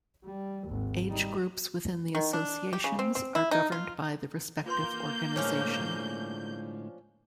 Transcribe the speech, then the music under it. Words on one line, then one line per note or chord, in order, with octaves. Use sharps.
Age groups within the associations are governed by the respective organization.
G3
G#1 D#2
G3 D#4
D#3
D4
G4
C#3
C4
C4
E4
D#4
F4
A#3 F4 B4 C6 G6
A2 D3 F3 G#3 C#4 D4 C#5